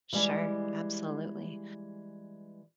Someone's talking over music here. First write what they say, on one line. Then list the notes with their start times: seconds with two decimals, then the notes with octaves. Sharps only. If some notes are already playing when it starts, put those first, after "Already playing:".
Sure, absolutely.
0.13 E3 G3 G#3